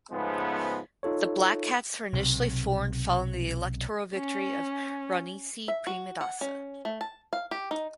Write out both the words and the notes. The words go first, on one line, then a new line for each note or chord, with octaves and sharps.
The Black Cats were initially formed following the electoral victory of Ranasinghe Premadasa.
G#2 C#3 F3 G#3 A3 B3
D#4 F4 A4 C#5
B1 C3
C#4
E5
F#4
F#5
C#4
A3
A5
F5
G4
D#4